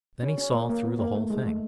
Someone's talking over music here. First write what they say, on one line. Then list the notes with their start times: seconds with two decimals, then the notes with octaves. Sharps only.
Then he saw through the whole thing.
0.23 C#4
0.38 C#4
0.54 A#3
0.69 A#3
0.85 B3
0.99 A#3
1.15 A3
1.30 G#3
1.46 A3